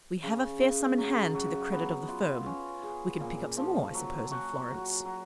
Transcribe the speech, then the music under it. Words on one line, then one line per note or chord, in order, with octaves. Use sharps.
We have a fair sum in hand to the credit of the firm; we can pick up some more, I suppose, in Florence.'
C#3
C#3
F#3
F#3
B3
F4
C#4
G#4
A#2
F3
F#3
F#4
F#3
F#3